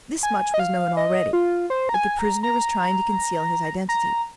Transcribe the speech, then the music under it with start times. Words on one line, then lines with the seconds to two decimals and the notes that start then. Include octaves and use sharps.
This much was known already; that the prisoner was trying to conceal his identity.
0.23 G#5
0.54 D#5
0.59 F5
0.97 D#5
1.33 F4
1.70 C5
1.89 A#5
1.94 G#5
2.19 A#5
2.43 A#5
3.89 A#5